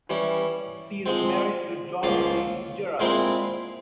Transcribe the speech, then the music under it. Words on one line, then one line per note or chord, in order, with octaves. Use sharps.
She is married to John Fitz-Gerald.
E3 G3 C#4
F3 G#3 C4
C#2 C#3 F3 A#3 F4
A#2 G#3 C4 E4 A#4